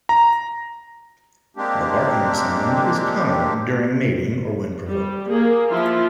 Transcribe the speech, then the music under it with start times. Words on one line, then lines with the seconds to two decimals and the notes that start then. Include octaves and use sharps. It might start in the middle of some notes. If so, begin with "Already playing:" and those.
The barking sound is common during mating or when provoked.
0.09 A#5
1.57 G#3 A#3 C4 D4 G4
4.88 G3
5.30 A#3 G#4
5.69 F3 E4 F4